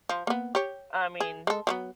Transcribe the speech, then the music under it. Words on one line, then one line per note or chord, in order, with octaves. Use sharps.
I mean
F3
A#3 B3
G4 C#5
G#4
G#3 A4
F#3 A3 B3